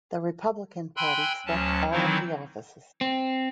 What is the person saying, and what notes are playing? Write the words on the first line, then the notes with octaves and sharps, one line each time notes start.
The Republican Party swept all of the offices.
G5 G#5 B5 C6 E6 F#6
D2 F#3 C#4 A5
D#3 E3 F#3 C4 D#4 E4
C4